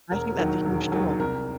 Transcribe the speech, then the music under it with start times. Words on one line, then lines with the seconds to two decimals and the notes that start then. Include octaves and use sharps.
I think that's a huge tool.
0.11 E1 A#4
0.38 D#2 D#3 F#3
0.65 E1
0.92 D#2 D#3 F#3
1.19 C2 A#4